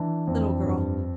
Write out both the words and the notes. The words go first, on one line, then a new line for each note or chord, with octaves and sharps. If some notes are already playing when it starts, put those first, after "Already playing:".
Little girl.
Already playing: E3 D4
F2
G2